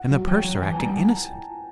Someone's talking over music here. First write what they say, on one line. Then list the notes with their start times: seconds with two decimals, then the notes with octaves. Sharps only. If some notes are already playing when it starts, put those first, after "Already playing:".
And the purser acting innocent?
Already playing: F#5
0.11 F#3
0.27 F#3 G5
0.44 F#3
0.62 E3 G#5
0.72 A5
0.79 G3 A#5
0.97 A5